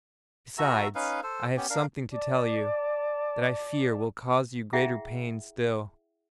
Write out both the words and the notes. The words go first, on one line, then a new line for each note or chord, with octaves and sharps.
Besides, I have something to tell you, that I fear will cause you greater pain still.
F#4 A4 E5 A#5
C#4 D#4 B4 F5
A4 C5
B3 C#4 G4
D4 A#4 F5
D5 A5 D6
E4 G#4 E5 F#5 G5